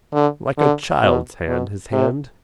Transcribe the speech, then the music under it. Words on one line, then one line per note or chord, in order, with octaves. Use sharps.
Like a child's hand, his hand.
D3
D3
B2
B2
C3